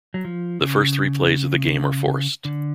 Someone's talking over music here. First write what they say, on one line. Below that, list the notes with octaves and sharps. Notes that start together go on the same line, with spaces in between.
The first three plays of the game are forced.
F#3
F3
C#3
D3